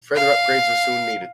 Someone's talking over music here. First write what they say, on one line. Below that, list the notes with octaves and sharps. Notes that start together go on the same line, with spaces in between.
Further upgrades were soon needed.
F5